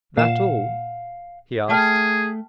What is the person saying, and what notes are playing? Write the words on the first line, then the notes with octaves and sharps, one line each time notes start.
"That all?" he asked.
A#2 F5 F#5 E7
A3 G#4 G5 A5 F6